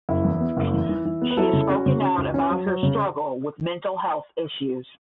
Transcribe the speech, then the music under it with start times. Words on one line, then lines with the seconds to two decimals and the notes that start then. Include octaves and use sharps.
She has spoken out about her struggle with mental health issues.
0.09 F#1 E4
0.24 E2
0.41 B3
0.57 F#1
0.73 E2
0.89 E3
1.05 E3
1.22 B3
1.31 B4
1.37 F#3 E4 A4
1.53 C#3
1.69 C#4 F#4
1.86 C#3
2.02 C#4
2.18 C#2
2.34 C#4
2.50 F#3
2.67 F#3
2.83 C#3